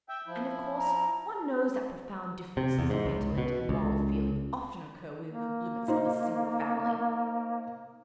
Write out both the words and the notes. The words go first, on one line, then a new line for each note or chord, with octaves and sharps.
And, of course, one knows that profound differences of intellect and moral feeling often occur within the limits of a single family.'
E5 G5
F3 E4
A#5
C3
E2
G#2
C#2
B2
C#2
A#3
D#4 C5